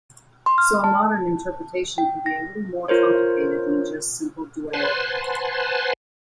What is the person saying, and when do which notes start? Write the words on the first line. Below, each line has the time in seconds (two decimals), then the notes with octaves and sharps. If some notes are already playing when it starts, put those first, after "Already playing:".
So a modern interpretation can be a little more complicated than just simple duality.
0.46 C6
0.58 F6
0.84 A5
1.98 G5
2.26 A#6
2.88 F4 A#4 C5 C#5
4.74 B4 C5 F#5 G#5 A5 C6